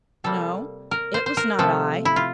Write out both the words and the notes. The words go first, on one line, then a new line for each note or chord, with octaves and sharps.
"No, it was not I."
C3 G3 A#3 A4
A#4
C5
C5
A#4
C3 F3 A3 A4
E4
F4